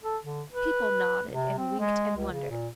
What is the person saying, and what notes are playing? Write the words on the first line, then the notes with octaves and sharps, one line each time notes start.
People nodded and winked and wondered.
A4
D3
B4
C3
C4
G#3
C#2
C#3
A#2